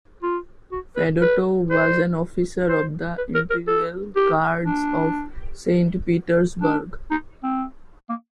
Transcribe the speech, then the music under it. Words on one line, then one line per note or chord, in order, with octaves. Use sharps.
Fedotov was an officer of the Imperial Guards of Saint Petersburg.
F4
F#4
B4
B4
C5
C5
B4
A#4
A#4
A4
G4
D4
D4
D#4
C4
A#3